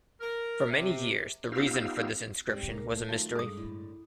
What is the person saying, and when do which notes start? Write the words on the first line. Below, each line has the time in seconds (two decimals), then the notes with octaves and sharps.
For many years the reason for this inscription was a mystery.
0.21 A#4
0.71 C3
1.52 B3 D#4 F4 G4 F5 E6
2.50 G#2 G3 C4 G4
2.70 C2 D#3 G#3 A#3
2.90 A3 F5
3.09 D#2 D#3 F#3 F4 A5
3.35 G2 G#3 A4 F5 D#6
3.57 A2 D3 E4